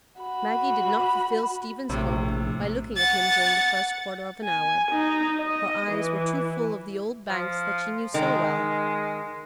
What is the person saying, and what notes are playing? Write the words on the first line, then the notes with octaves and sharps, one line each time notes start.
Maggie did not fulfil Stephen's hope by looking at him during the first quarter of an hour; her eyes were too full of the old banks that she knew so well.
F#4 B5
A#1 A2 C3
F#5 A6
G#5
D#4
D#5
E3
F3
D#3 G#3